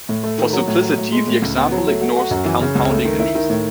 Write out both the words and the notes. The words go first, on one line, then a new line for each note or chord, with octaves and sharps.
For simplicity, the example ignores compounding interest.
A2
A3
D#3
F#3
A2
F#3
A2
G#3
A2
C#2
B3
F#3
A3
F#4
F#4
F#2
E3
C#3
C#2
A3
D#3
E4
D#3
A2